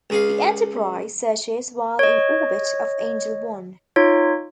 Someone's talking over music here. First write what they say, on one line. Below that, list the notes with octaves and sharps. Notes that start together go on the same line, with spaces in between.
The "Enterprise" searches while in orbit of Angel One.
C#2 G#4 F5
C#5 D#5
D#4 F4 C#5